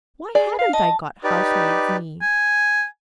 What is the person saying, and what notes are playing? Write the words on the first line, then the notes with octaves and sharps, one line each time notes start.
Why hadn't I got housemaid's knee?
G#4 D5
F5
D#5 A5
D#4 G4 B4 D5
G#5